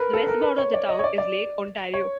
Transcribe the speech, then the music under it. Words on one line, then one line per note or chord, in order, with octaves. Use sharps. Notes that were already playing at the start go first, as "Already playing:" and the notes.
The west border of the town is Lake Ontario.
Already playing: A#4 B4
A4
A#4
B4
C#5
D5
D#5
C#5
D5
D5
C#5